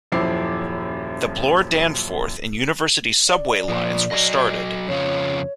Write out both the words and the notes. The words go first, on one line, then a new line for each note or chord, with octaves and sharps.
The Bloor-Danforth and University subway lines were started.
D#1 F#2 F3 E4 D6 C7
D5
A#2 F3
F#3 D#5
F2 C#3 F4 C#5